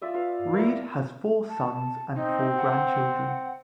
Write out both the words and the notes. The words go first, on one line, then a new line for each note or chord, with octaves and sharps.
Reid has four sons and four grandchildren.
F4 D5 E5 D#6
F4 B4 F5
E4 A#4
E5 F5
A5
C4 D#4
F#5